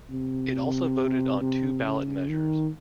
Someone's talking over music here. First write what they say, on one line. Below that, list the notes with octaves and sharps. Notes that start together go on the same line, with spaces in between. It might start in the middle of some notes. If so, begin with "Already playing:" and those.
It also voted on two ballot measures.
C3
C3
C#3
D#3